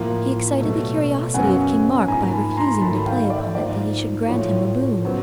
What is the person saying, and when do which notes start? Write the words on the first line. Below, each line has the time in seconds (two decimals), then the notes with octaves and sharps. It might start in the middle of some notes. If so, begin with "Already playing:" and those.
He excited the curiosity of King Mark by refusing to play upon it till he should grant him a boon.
Already playing: A2 F3 A#3
0.61 B2 F#3 A3
1.34 F#2 C#3 F#3 B3 F#5 G#5
2.08 G#2 F3 A#3 G#5 A#5
2.33 A5 B5
2.57 A#5 C6
2.81 G#2 D#3 F#3 A3 A5 B5
3.06 F5 G5
3.30 D5 E5
3.55 G#2 F3 A#3 C5 D5
4.28 A2 F3 A3 C#5
5.02 C#3 F#3 B3 C5